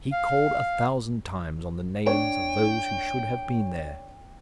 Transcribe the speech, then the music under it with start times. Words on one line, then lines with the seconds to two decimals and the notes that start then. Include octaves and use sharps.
He called a thousand times on the names of those who should have been there.
0.12 F5
2.07 D4 C#5 G5